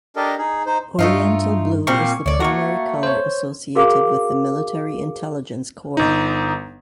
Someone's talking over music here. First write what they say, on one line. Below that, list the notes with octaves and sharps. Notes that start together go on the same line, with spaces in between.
Oriental blue is the primary color associated with the Military Intelligence Corps.
D4 G4 A4 A#4 D#5
D#4 G#4
D#4 C5
G2 A3 D#4 F4
A#2 G3 C4 C#6
D2 C#5 D5
A3 A#3 F#4 C#6
C5 C#5
F#4 G#4 A#4 F5 D6
G1 D#4